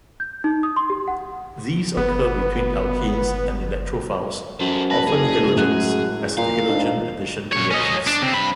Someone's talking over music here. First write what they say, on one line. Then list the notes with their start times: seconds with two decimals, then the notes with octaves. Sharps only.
These occur between alkenes and electrophiles, often halogens as in halogen addition reactions.
0.20 G6
0.44 D#4
0.63 D#6
0.76 C6
0.90 G4
1.08 F#5
1.97 G1 B3
4.60 F#2 A4 C5
4.90 B4 A5 A#6
5.07 F#1 G#4
5.56 F#2 A2 G#3 F#6
6.37 A#2 F5
6.68 G#2 D4
7.52 A#2 C#5
7.71 C#4 D#5
8.07 D4
8.22 C3 C4
8.33 G2 B5